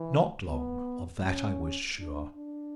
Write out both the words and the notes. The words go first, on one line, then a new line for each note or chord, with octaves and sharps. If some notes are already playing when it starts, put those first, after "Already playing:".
Not long; of that I was sure.
Already playing: E3
B3
C#4
D4
D4